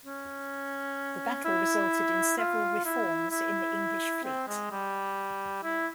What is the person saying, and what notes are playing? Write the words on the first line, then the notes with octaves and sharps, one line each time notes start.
The battle resulted in several reforms in the English Fleet.
C#4
E4
F4
E4
E4
C4
G#3
G3
E4